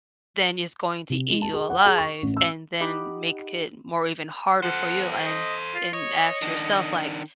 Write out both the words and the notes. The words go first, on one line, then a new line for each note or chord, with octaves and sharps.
then it's going to eat you alive, and then, make i it more even harder for you and s and ask yourself, like,
C3
G#3
A5
G#4
F#5
G#4
C#6
A1
E6
D#4 G4 F#5 B5 D6 D#6
A4 C5 F#5
D#5
F4
C#5 D#5
D#3 D4